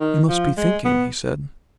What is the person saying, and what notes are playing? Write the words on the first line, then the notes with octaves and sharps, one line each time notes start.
"You must be thinking," he said.
D#3
F3
G#3
B3